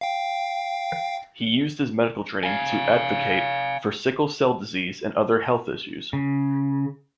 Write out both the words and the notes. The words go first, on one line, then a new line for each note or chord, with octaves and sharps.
He used his medical training to advocate for sickle-cell disease and other health issues.
F5 G5
F5 G#5
C#3